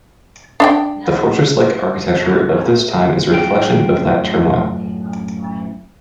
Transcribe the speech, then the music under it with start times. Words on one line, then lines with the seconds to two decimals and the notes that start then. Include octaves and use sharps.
The fortress-like architecture of this time is a reflection of that turmoil.
0.60 D4 E5 G5
3.32 F#2 A2 F4 G5